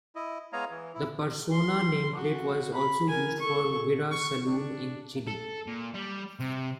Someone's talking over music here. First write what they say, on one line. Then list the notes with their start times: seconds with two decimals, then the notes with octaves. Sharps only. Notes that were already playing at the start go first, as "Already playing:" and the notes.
The Persona nameplate was also used for the Wira saloon in Chile.
0.16 E4 D#5
0.53 G#3 B3 C#5 D#5 F5 A#5
0.71 E3
0.94 E4
1.52 C6
2.16 F#4
2.74 B5
3.09 A#4 G#5
3.40 A4 C#6
4.11 C#6
4.47 D4
5.27 A4
5.66 A#2
5.94 G3
6.40 C3